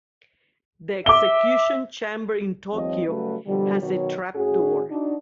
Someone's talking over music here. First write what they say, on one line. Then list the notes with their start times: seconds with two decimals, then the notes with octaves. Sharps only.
The execution chamber in Tokyo has a trap door.
1.06 E5 D6 G7
2.74 D#2 F3 G3 C4 C#5 D#5
3.08 C#3 F#3 G3 A3 F#4 B4
3.47 B2 D3 F3 G3
3.82 B2 D#3 F#3 F#4 C#5
4.35 A2 C#4 F#4 G#4
4.90 D4 D#4 F#4